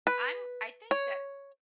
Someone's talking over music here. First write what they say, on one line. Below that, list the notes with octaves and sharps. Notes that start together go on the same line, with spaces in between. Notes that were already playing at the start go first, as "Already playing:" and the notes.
I'm I think that,
B4
C#5